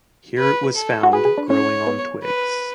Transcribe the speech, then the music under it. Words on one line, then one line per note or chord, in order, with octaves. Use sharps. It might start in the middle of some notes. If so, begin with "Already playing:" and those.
Here it was found growing on twigs.
B4
A4
F#4
G#4 B4
G#4
D4
C#4 C#5
B3
B4